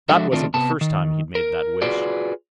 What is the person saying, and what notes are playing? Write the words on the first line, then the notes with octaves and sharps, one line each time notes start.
That wasn't the first time he'd made that wish.
F3 G#3 D4 F#4 A4 E5
D#3 A3 C4 D4 F4
C3 B3 A5
D#3
A#4
F4 F#4 G#4 B4 D5